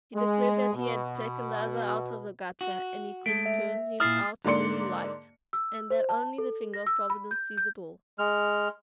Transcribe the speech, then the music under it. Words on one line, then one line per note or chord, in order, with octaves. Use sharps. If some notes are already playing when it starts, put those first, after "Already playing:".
He declared that he had taken the other out of the gutter and he could turn him out when he liked, and that only the finger of Providence sees it all.
G#3
B2
F#4
G#3 A3 D7
E5
A#2 E4 D#6 F6 A6 C7
G#2 D3 A#3 D5 C6 C#7
E6
C5
A5
A4
A#6
E6
B5
G6
G6
G#3 F6